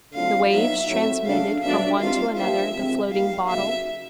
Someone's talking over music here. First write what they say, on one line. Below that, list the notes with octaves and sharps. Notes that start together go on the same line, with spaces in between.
The waves transmitted from one to another the floating bottle.
D3 F#3 A3 C4 F4 F5
F#3 B3 D#4 E5
A2 F#3 A3 C4
C#3 F#3 A3 D4 F5
B2 F#3 A3 D4 F#4 E5
D#3 G3 C4 F4 F5
F3 A#3 D4 G4 E5
C3 F3 G#3 C4
G3 A#3 D#4 G4 F5
C#3 F#3 A#3 D#4 F#4 E5